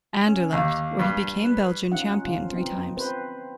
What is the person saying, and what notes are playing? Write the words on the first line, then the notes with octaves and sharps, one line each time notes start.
Anderlecht where he became Belgian champion three times.
C#4
D#2 A#3
G2
B4
F#3 C#4 D#4 F4 F#5
D3 F3 F4
B3 C4 D#4
C4 B4 C5